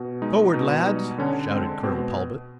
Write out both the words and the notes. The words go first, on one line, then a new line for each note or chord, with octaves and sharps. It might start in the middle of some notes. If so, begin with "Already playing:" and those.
"Forward, lads!" shouted Colonel Talbot.
Already playing: B2
G#3 D#4
B2 D#4
G3 D#4
D3 C#4
G#3 C4
B2 C4